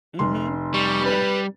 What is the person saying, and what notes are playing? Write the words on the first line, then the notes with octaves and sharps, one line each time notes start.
Mhm, yeah.
F1 C6
G3 C#6
B4